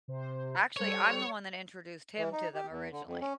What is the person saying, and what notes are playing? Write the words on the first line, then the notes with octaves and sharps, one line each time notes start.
Actually, I'm the one that introduced him to them originally.
C3 C5
G3 A4 C5 C#5
E3
D#4
G4
E2
D3
F2
C#4